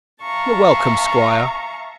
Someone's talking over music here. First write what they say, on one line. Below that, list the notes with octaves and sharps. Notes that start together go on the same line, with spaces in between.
"You're welcome, squire."
E5 F5 A5 A#5 C#6